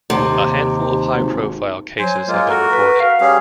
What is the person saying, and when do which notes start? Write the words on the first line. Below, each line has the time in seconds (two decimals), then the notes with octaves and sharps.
A handful of high profile cases have been reported.
0.10 D#2 C3
1.18 G#1
1.99 F#3 C5 G#5
2.28 G#3 A#3 F4
2.49 F#4 A4 A#4
2.72 B4
3.00 F5
3.21 G3 C#4 G#4 F5